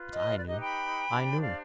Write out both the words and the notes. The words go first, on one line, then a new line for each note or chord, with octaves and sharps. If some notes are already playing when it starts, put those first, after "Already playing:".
But I knew, I knew!
Already playing: F4 B4
D#5
D5
D#4 G4 B4 D#5
G5 B5
D4 G4 C5
D5 F5